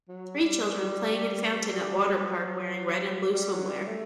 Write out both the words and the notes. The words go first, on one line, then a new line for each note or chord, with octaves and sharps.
Three children playing in fountain at water park wearing red and blue swim wear.
F#3
G3
G3
G3
F#3
G3
F#3
G3
A3